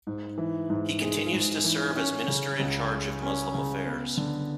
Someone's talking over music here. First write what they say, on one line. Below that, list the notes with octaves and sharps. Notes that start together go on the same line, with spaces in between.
He continues to serve as the Minister-in-charge of Muslim Affairs.
G#2
E3
G#2
G#3
G#2
E3
C#4
C#3
C#2
G#3
C#4
C#3
B3
D3